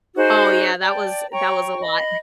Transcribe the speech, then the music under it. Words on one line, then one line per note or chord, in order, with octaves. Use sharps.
Oh yeah, that was that was a lot.
D#4 F#4 G#4 C5
D5 G5 A5
C#5 G5 A#5 C#6
D#5 B5